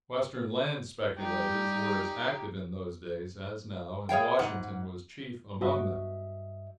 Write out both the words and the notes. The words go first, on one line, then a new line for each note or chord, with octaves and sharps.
Western land speculators were as active in those days as now, and Washington was chief among them.
G3 D#4 G4 G5
G#4 C#5 F5 G5
G#2 F#5
G2 F#4 D#5 E5